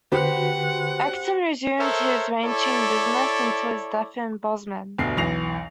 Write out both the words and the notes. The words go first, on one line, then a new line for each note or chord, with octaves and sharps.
Ecton resumed his ranching business until his death in Bozeman.
D3 F#4 G4 B4 C5 F#5 B5
A4 A#4 C5 C#5 E5
E4 A4 C#5 D5
G1 D2 B2 C7
B1 E2 E3 A#6 C7 F7